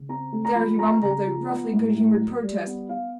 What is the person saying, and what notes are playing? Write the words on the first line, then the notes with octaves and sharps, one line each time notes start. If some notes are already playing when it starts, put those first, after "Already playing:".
There he rumbled a roughly good-humoured protest.
Already playing: C#3
C4 A#5
A3
A#5
F3 B5
C4 A#5
C#3 A#5
F3
B3
A2
A2
F#3
G3
B3
B3 F5